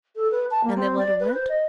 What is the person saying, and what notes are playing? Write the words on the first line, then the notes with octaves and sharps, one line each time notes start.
And the letter went?'
A4
B4
A5
A#3
C4
D5
B4
C5
D#5